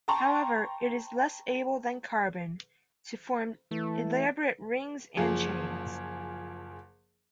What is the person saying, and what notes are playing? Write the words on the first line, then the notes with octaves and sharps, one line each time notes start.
However, it is less able than carbon to form elaborate rings and chains.
G5 A5 A#5 C6 C#6
E3 A3
F#1 F3 G#4